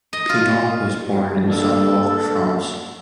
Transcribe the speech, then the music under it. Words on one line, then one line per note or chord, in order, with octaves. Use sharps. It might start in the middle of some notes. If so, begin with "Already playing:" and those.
Pinon was born in Saumur, France.
D#5
F4
D3 A#3 D4 A4